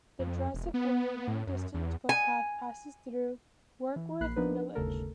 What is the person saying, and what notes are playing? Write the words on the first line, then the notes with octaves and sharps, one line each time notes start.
The Jurassic Way long distance footpath passes through Warkworth village.
F2
E1
B3
A2
F#2
E2
G#5
E3
A#1 A#3 B5 F#6 C7
F3 B3 D4 D#4 A#4 B4
G1 D#2 C#3 A3 A4 A#4